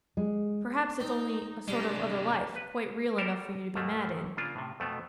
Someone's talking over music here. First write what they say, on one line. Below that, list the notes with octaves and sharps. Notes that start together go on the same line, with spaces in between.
Perhaps it's only a sort of other life--quite real enough for you to be mad in.
G#3
C4 D#4
C3 G3 G#3 D4
B4
G3 G4 A4 A#4 C5 C#5
D#2 G#2 D#3 A3 A#3
C#3 A#3 D4 F4
A2 C3
F2 B2 A3 B3